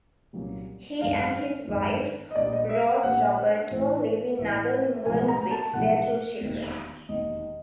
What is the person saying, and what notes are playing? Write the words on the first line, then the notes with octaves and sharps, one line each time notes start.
He and his wife, Rose Roberto, live in northern England with their two children.
C2 A#2 F#3 A#3 C#4
G#1 F#2 D#3 G#3 F5
G#1 F#2 D#3 G#3
D#5
A#1 A#2 G3 D5
D#5
E5
F5
A#1 A#2 G3 F#5
A1 A2 E3
A1 A2 E3
B1 A2 F3 G#3 G#5
A#5
A5
B1 A2 F3 G#3 F#5
E1 D#2 D#3
E1 D#2 D#3 D#5